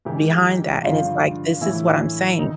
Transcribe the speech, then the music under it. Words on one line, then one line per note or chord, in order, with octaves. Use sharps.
behind that. And it's like, this is what I'm saying.
G#2 E3 G4
G2 D3 F3 F4
A2 E3 E4
D#3 D#4